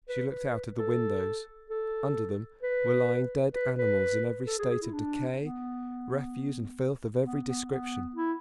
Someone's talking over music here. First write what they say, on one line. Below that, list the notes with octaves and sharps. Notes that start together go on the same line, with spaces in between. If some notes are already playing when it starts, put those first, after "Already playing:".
She looked out of the windows; under them were lying dead animals in every state of decay, refuse and filth of every description.
B4
B4
A4
A4
B4
B4
B4
A4
G#4
G#4
E4
D4
B3
B3
B3
B3
E4